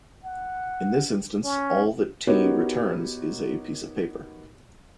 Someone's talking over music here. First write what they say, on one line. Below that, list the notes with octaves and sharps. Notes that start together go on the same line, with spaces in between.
In this instance, all that T returns is a piece of paper.
F#5
C#4
B3 D#4 F#4 G4 A#4 C#5